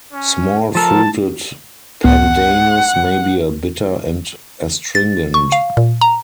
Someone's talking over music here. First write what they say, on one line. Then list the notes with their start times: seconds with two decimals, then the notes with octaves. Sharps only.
Small-fruited pandanus may be bitter and astringent.
0.13 C#4
0.75 F3 A4 A#4 A5
2.04 C#2 A2 B3 F#5
4.95 A6
5.34 C#6
5.52 F5
5.77 A#2
6.01 A#5